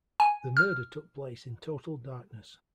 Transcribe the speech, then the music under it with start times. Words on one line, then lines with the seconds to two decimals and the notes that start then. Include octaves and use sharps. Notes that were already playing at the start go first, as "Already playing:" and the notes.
The murder took place in total darkness.
0.20 G#5
0.57 F6